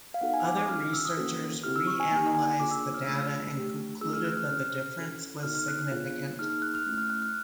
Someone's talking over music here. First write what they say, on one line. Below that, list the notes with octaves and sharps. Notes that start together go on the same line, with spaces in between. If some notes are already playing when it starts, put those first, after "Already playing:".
Other researchers reanalyzed the data and concluded that the difference was significant.
F5
B3 D#4 F#4 A4 F#5
G#5
D6
D6
C#4 F4 A4 F6
F6
E6
D#6
A#3 C#4 F#4 A4
C4 E4 G4 F6
E6
C#6
G#5
A#3 D#4 G4 G#5
G#5
A#3 D4 F4 G#4 D6
E6
F6
A3 D4 F4 G#4 E6
A3 D4 G4
A3 C#4 F4 G#4 E6
F6
F#6
F6
C#4 F#4 A4 F6
C#4 F#4 A4
B3 D#4 F#4 A4 F6
F6
F#6
F#6
B3 D4 F4 G#4
A#3 D#4 G#4 F6
F6
F#6
F6
A3 C#4 E4
F6
F#6
F6